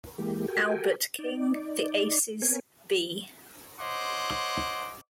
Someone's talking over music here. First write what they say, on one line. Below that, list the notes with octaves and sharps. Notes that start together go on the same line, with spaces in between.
Albert King, The Aces, B.
E3 G#3 A#3 G4
F#4 G4 A4 A#4 G5 G#5
D#4 D5
B3 C4 A#4 C#5 G#5
C5 C#5 D#5 F#5 C6 D6